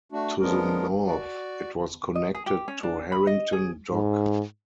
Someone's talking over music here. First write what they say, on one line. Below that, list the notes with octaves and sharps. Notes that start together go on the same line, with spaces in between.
To the north it was connected to Harrington Dock.
A3 D4 F#4
F3 G#3 B3 D4 A#4
F#4 D5
D#5
G#4
G4
C#4
D4
B5
D#5
G#4
G#2